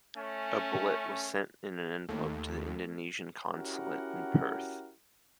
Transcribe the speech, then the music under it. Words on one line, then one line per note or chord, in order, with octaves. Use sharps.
A bullet was sent in an envelope to the Indonesia consulate in Perth.
A3 C#4
D#2 A3
C#4 E4 F#4 G4 A#4 F#5